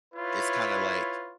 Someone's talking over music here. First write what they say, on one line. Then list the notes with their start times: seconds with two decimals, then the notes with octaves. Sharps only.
it's kinda, like
0.14 E4 F4 B4 C#5